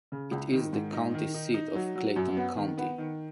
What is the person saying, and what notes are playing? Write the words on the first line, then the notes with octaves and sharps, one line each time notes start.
It is the county seat of Clayton County.
C#3
C#2
D#3
G#2
D#4
D#3
D#4
D#4
F#3
F#3
F#2
B3
D#3
B3
D#3